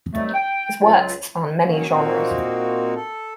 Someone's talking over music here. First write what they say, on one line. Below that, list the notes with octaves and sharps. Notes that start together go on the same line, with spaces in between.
His works span many genres.
C3 D#3 F#3 G3 A3
G5
C#2 F#3 F4
D#3 F#3 A#3 C#4
A#2 A#3 C4 D#4 F#4
A4